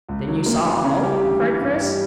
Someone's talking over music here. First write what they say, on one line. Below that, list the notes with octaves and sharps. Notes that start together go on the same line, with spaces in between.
"Then you saw all?" cried Chris.
C#2
F#3
D2 A#3
E3 B3
C#3 C#4
G3 G4
D2
E3
G2
G3